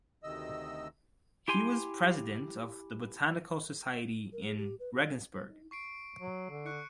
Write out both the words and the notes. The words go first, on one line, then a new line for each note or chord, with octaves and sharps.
He was president of the botanical society in Regensburg.
D2 C3 D#3 D#5 E6
E4 G4 G#5 C6
A#4
G#4
G4
B4
C#6 C7 D7
F#3
D3
C#6 F#6 C#7